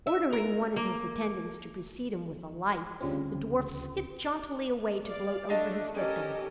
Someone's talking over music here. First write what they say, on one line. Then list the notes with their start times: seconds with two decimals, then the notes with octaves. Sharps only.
Ordering one of his attendants to precede him with a light, the dwarf skipped jauntily away, to gloat over his victim.
0.07 E5
0.33 A#4
0.76 A#3
3.01 D2 C#3 F3 G3 C4
5.05 D5 F5
5.49 A3 D4 D#5 F5 A5
5.95 C#4 D#4 G4 A4 A#4 D5 D#5